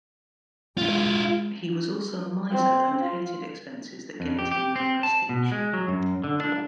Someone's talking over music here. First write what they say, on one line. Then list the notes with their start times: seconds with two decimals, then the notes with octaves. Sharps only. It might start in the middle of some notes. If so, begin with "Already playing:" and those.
He was also a miser and hated expenses that gained him no prestige.
0.77 G#3 E4 F4
2.51 C4
3.01 F4
4.20 F2
4.39 G4
4.51 G4
4.76 C4
5.03 A5
5.29 B2
5.52 G#3
5.73 F#3
5.88 F#2
6.24 D3
6.40 D4